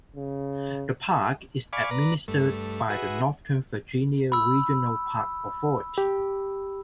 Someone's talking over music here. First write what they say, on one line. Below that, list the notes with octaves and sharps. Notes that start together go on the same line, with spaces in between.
The park is administered by the Northern Virginia Regional Park Authority.
C#3
D5 F5 G#5 B5 C#6 D6
B4 D5 A#5
G2 A3
F#4 G#4 B4 E5
B5 E6
G4